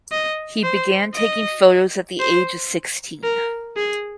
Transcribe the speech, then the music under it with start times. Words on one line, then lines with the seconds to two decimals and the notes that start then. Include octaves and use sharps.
He began taking photos at the age of sixteen.
0.12 D#5
0.63 C5
1.15 D#5
2.20 C5
3.24 A#4
3.76 G#4